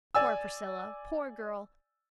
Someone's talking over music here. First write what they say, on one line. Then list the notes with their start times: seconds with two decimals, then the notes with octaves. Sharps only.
Poor Priscilla!--poor girl!
0.15 D5 G#5 E6